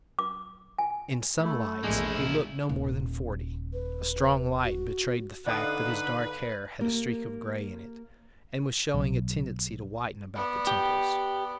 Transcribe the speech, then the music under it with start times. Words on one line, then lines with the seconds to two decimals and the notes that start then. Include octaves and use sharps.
In some lights he looked no more than forty: a strong light betrayed the fact that his dark hair had a streak of grey in it, and was showing a tendency to whiten about the temples.
0.19 D6
0.79 G#5
1.40 A3 E4
1.83 A#1 E2 B2 G#3 A#3 D4 E4 G#4
2.69 D#1
3.73 B4
4.63 F#4
5.46 D3 D#4 B4 D5 F5 F#5 D#6
6.81 A#3 G4 A#4
8.94 B1
10.36 B3 D5
10.67 G4